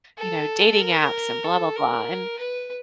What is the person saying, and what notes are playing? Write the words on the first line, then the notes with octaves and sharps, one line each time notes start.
you know, "dating apps, and blah blah blah," and,
A4
A#4
A4
A#4
B4